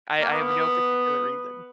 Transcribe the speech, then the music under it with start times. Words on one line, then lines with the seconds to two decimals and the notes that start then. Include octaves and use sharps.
I I have no particular reason.
0.21 A#3
0.32 B3